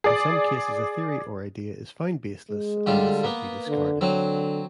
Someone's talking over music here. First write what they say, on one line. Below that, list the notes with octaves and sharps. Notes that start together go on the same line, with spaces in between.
In some cases a theory or idea is found baseless and is simply discarded.
G#4 D5
G#3
D3 G3 F4
A#3 B3
D3
D3 F#3 C4